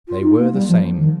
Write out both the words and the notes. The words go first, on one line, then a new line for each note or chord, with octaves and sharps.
They were the same.
F4
D#4
A#3
G3
F3
D#3